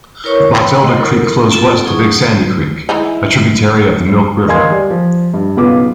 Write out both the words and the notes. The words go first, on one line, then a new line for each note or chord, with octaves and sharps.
Boxelder Creek flows west to Big Sandy Creek, a tributary of the Milk River.
E4 A#4 B4 C#5 C#6
B4 G5 B5 C6
C5 D#5 F#5 C6
E4 A4 A#4
A#3 C4 F4 A4
E4 G#4 F#5 C#6 D#6
E3 G#3 D#4 E4
A#4 D#5 F5 G#5 C6 G#6
G3 D5
F3
G2
B1 C#3 B3 F4 B4 D6